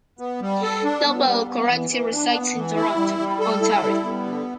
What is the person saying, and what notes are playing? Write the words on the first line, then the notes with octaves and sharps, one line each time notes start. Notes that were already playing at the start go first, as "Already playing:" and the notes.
Dalbello currently resides in Toronto, Ontario.
B3
G3
A4
D4
B3
G3
B3
E3
E3
D4
B3
E3
E4
G3
G3
A4
E4
G3
B3
D3